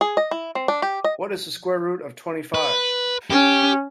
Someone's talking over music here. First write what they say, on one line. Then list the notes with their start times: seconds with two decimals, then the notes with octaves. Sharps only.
What is the square root of twenty-five?
0.01 G#4
0.17 D#5
0.31 E4
0.55 C4
0.68 D4
0.82 G4
1.04 D#5
2.54 B4
3.30 C#4 G4